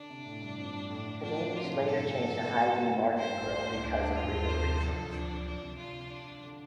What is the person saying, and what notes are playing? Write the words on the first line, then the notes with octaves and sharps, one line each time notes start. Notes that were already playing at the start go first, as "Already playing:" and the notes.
The name was later changed to Hy-Vee Market Grille because of legal reasons.
Already playing: D3 D4
C3
A2
G2
F2
G2
A2
D3
F3 D4
D3 F4
C3
A2
G2
F2 A4
G2
F2
G2
A2
C3
C3
G2
G2 C5
A2
A2
G2
D4
G2
F4
F2 C5
C3
D3
F3 A4
D3
F3 D4
D3
F3 D4
C3
F4
D4
D3